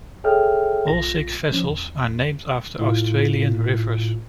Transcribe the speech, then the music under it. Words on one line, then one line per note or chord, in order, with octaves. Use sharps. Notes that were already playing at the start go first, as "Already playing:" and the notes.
All six vessels are named after Australian rivers.
G#4 A4 C#5 E5 G5 F6
B1 F4 A#6
F3 C#4
E2
A2 F4